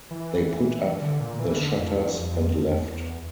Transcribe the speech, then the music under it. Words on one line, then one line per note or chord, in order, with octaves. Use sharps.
They put up the shutters, and left.
E3
D3
A#2
E3
D3
F2
E2
F2
F2
E2
E2